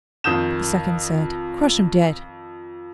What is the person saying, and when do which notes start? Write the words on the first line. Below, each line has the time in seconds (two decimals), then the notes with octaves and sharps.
The second said, 'Crush him dead.'
0.24 F2 D#3 D#6 G6 E7